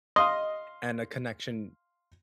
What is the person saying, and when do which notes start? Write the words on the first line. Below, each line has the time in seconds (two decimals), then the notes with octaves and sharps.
and a connection
0.16 D#5 F5 C6